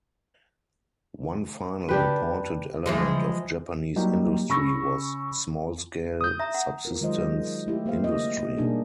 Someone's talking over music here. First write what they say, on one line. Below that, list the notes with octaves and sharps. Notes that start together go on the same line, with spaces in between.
One final important element of Japanese industry was small-scale, subsistence industry.
D4 G4 B4
E3 F3 G#3
F#3 G3 A#3 D#4 G4
C#3 B5 C#6 E6 A#6
D#6 G6
E5 A#5
F#5
F4 A#4
D#3 F#3 G#3 F4 C5 D#5
A3 E4 G4
A#3 G4 C5 F5
D#5
B2 G3 A#3 D4 D#4 G#4